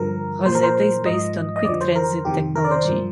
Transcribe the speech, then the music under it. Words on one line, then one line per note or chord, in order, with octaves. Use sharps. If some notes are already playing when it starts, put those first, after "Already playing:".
Rosetta is based on QuickTransit technology.
Already playing: G2 D3 F3 A#4
A#2 F3 C5
A#4
C5
G#2 F3 D#5
D#5
F2 D3 F3 D5
C5
A#4
F2 C3 D#3 G4
A#4
D5
C5
G2 F3